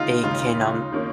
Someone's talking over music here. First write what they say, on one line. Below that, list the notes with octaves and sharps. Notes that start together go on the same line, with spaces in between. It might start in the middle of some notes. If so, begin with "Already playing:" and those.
it can, um
Already playing: D#2 C#3 G#3 D#4 F4
D#2 C#3 G#3 F4
D#3 A#3 C#4